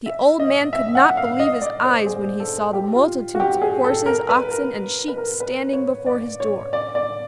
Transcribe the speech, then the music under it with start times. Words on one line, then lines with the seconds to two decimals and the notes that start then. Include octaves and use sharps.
The old man could not believe his eyes when he saw the multitudes of horses, oxen and sheep standing before his door.
0.06 E5
0.40 D#5
0.73 E5
0.95 F#5
1.17 F5
1.40 D#5
1.62 D5
1.84 C5
2.06 G#4
2.40 A4
2.73 G4
2.95 F4
3.35 F#4
3.40 G4
3.62 G#4
3.84 A4
4.06 A#4
4.29 B4
4.51 A#4
5.08 B4
5.17 A#4
5.40 B4
5.73 C#5
6.06 D5
6.40 C#5
6.73 D5
6.95 D5